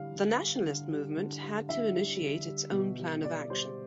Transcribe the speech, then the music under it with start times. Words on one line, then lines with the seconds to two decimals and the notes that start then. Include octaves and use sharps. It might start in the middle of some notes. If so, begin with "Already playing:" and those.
The nationalist movement had to initiate its own plan of action.
Already playing: D3 G3 F5
0.15 D3
0.41 G3
0.66 D3
0.92 G3
1.17 D3
1.43 G3
1.69 D3 E5
1.96 G3
2.21 D3
2.46 G3
2.72 B2
2.99 G3
3.24 B2 D5
3.50 G3 C5